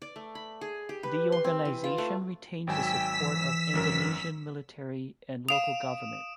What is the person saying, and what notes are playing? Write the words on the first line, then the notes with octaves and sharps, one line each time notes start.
The organization retains the support of Indonesian military and local government.
D5
A3
B5
G#4
G4
B4
C6
C4
E3
F4
A3
G#1 F#3 G5 G#5 E6 B6
E3
G#1 F#2 A#4
F5 D#6 D7 E7 F7